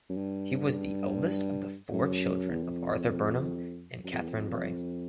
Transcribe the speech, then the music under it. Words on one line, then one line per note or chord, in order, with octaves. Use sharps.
He was the eldest of the four children of Arthur Burnham and Katharine Bray.
F#2
G2
F#2
E2
F2
F#2
F2
E2
F2